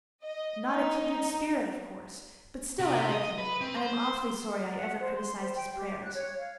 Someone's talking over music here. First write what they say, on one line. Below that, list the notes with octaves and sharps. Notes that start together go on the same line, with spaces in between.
Not a kindred spirit, of course; but still I like him and I'm awfully sorry I ever criticized his prayers.
D#5
D#4
C3
D#5
B4
C4
C5
D5
F#5
C5
C6
C5
G5
G4
F#6
C#5
F5